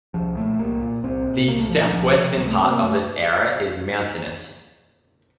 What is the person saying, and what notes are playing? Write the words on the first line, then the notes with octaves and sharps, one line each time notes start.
The southwestern part of this area is mountainous.
C2 F3
A#2 A3
C2 A#3
A#2
C2 C4
A#2
C2 A#3
A3
A#2 F3
F3
C#2 F3
C3
C#2 F#3
A3
C3 C4
A#3
A3